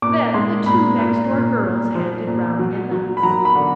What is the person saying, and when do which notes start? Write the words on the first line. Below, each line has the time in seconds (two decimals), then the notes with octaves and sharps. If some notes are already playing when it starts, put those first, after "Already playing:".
Then the two next-door girls handed round the nuts.
0.02 A#2 D6
0.34 G#3 C6
0.66 A#2 B5
0.98 A#2
1.31 A#2
1.63 A#2
1.95 F3
2.27 A#2
2.59 F#3
2.91 F#3
3.17 B5
3.23 F#3 A#5
3.45 B5
3.55 D3